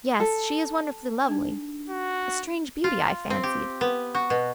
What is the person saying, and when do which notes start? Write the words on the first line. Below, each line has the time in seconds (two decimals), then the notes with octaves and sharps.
Yes, she is wonderfully lovely--a strange beauty, I fancied.
0.20 A4
1.28 D4 D#4
1.90 F#4
2.84 F4
3.30 C4
3.43 G4
3.81 B3
4.15 F#4
4.30 B2